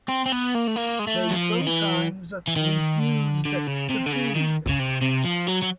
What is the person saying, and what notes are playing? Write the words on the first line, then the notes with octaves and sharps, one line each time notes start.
They sometimes refused to feed.
C4
C4
B3
A#3
A3
A#3
G#3
A3
F#3
F3
D#3
E3
E3
D#3
D3
D3
C#3
C3
D3
C#3
D#3
C#3
C3
C3
F3
F#3
F#3